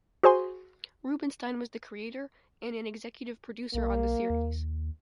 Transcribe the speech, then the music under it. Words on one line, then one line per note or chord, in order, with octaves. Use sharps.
Rubenstein was the Creator and an Executive Producer on the series.
F#4 G#4 C5 G#5 C6
B1 A#3
D#2